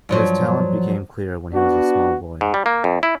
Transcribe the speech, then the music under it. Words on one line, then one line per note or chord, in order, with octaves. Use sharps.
His talent became clear when he was a small boy.
G2 F3 F#3
B3 D4 F#4
G#2
G3
A#3
F2
E4